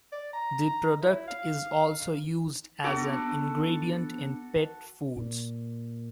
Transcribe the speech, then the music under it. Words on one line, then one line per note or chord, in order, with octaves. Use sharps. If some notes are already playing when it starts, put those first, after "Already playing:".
The product is also used as an ingredient in pet foods.
D5
A#5
E4
F5
B3 D4 F#4 A4 D6
A#2